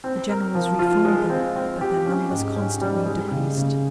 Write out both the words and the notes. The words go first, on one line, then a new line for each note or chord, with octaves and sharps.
The generals re-formed them, but their numbers constantly decreased.
C4
A#4
F3
F4
G#3
C4
C4
G4
C#4
G#2
C#4
G3
G#3
C#3
C#3